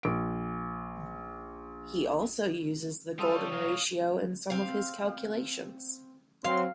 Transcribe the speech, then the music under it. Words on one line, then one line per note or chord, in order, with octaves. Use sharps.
He also uses the golden ratio in some of his calculations.
A#1 D7
G3 C4 F4 A4 D#6 D#7 F7
C#5
C2 F#3 F5
C4 F5
F#3 C4 F5 C6